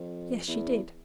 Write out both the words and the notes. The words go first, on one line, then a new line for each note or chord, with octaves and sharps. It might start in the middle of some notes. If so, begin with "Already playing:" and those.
"Yes, she did."
Already playing: F2
E2